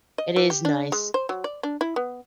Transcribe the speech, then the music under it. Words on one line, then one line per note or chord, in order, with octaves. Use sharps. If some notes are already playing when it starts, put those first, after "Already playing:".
it is nice
D#5
E3
G4
D4
G#3
C5
F#3
D5
D4
E4
B3